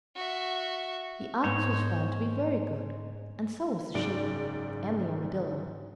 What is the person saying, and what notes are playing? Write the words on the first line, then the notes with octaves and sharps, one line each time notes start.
The ox was found to be very good, and so was the sheep, and the armadillo.
F#4 E5
G#2 B3 C5 C#5
F#1 G#2 D5 D7